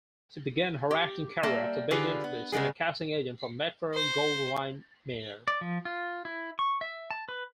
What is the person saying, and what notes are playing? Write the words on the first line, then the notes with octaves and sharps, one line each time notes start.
She began her acting career after being introduced to a casting agent from Metro-Goldwyn-Mayer.
G4
G3 A#3 E5 A5
D3 F4 G4 G#4 B4
B3
C#3 G3 G#3 B3 G#4
C5
D5
F3
F4
E4
C#6
E5
A5
B4